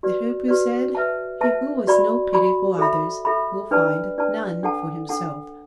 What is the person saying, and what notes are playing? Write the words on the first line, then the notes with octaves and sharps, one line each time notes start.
The Hoopoe said, "He who has no pity for others will find none for himself."
F#4 B4 D5
F#4 B4 D5
B4 E5 A5
B4 E5 A5
F#4 D5 B5
F#4 D5 B5
A4 E5 B5
A4 E5 B5
D4 B4 D5 A5
D4 B4 D5 A5
D4 A4 F#5 A5
D4 A4 F#5 A5